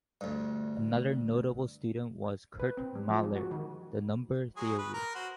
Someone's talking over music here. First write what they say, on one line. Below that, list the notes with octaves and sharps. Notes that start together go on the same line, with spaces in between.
Another notable student was Kurt Mahler, the number theorist.
D2 G2
B4
C4
G3
F3
G#3
F#4
D#3
F#3 G#3 G#4
B4
A#4 A#5
F#4 C5